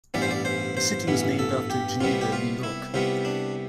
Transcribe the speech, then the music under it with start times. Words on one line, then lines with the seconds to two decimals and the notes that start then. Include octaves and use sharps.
The city was named after Geneva, New York.
0.14 A1 G2 E3 B3 D5
0.22 C5
0.31 D5
0.45 C5
0.77 C5
1.07 A1 G2 E3 B3
1.39 A4
1.70 G4
2.01 C2 C3 G3 B3 F4
2.21 G4
2.32 F4
2.63 E4
2.94 C2 C3 G3 B3 F4
3.25 D4